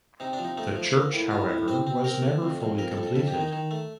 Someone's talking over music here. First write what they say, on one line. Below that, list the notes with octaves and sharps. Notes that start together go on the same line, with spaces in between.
The church, however, was never fully completed.
C3 D#4
D4
F3
D#4
A3 D#4
F3
A#3
A2
A2 F4
A2
C4 C5
C4
C4 A#4
A3
F2
F2
F2 A#4
A4
F2
A4
F2 A4
G4
D#3
D#4
D#3
A3